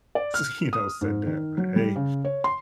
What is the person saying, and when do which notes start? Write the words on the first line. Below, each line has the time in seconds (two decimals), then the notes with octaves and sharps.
s you know, said that." But, hey,
0.15 D5
0.34 F6
0.73 D#6
1.01 G#2
1.27 D#3
1.57 F#3
1.76 G3
1.96 C#3
2.25 C#5
2.44 C6